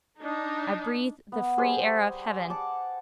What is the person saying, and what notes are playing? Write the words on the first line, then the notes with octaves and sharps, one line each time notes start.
I breathed the free air of Heaven.
D4 D#4
B3
G3 G#4 C5
F#5 A5 D6